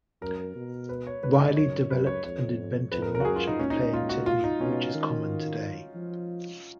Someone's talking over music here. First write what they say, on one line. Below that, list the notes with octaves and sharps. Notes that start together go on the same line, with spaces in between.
Reilly developed and invented much of the playing technique which is common today.
F#2 A#4
B2
B4
C#5
G#2 B4
D#5
F#2 C#5
F#2 B4
C#5
F2 C#5
F2 B4
A#4
A#4
F#4
F#2 G#4
F4
D#4
A#2 C#4
D#4
D#4
F4
F#4
F4
D#4
B2 C#4
D#3
F3